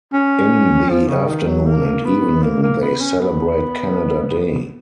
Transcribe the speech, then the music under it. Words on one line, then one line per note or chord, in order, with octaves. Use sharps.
In the afternoon and evening they celebrate Canada Day.
C#4
F3
C#3
D#3
F#3
A#3
B3
A#3
A#3
B3
C#4
B3